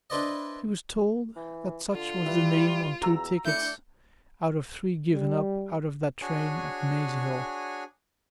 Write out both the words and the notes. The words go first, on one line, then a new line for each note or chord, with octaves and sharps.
He was told that such was the name on two tickets out of three given up out of that train at Maze Hill.
D4 E4 B4 C5 D5 D#5
E3
D3 F4
G3 E4 B4
E2 F#4 A#5 E6
A3 D4 E4 G6 C#7
G3
D4 F#4 G#4 C#5 G#5